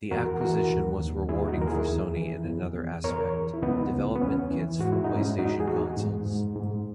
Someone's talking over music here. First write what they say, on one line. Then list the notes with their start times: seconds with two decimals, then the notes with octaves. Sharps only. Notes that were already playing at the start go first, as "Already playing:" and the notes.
The acquisition was rewarding for Sony in another aspect: development kits for PlayStation consoles.
0.11 E2 F#4 A#4
0.40 E3 F#4 A#4
0.70 D#2
0.99 D#2
1.29 D#2 E4 G#4
1.48 D#4 F#4
1.58 D#2 A#4
1.68 E4 G#4
1.87 E2
2.16 E3
2.45 E2
2.75 E2
3.04 E2 A#4 C#5
3.34 E2
3.54 E4
3.62 C#2 B3 D#4
3.92 C#2
4.15 B3
4.21 E2 C#4
4.51 E3
4.79 G#2 F#4
4.92 E4
5.04 D#4
5.10 G#2
5.16 C#4 E4
5.39 E2 D#4 F#4
5.60 G#4
5.67 E2 D#4 F#4
5.97 G#2
6.26 G#2
6.56 G#2